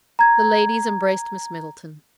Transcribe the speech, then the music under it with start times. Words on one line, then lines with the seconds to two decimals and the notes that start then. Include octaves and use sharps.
The ladies embraced Miss Middleton.
0.19 A#5 G#6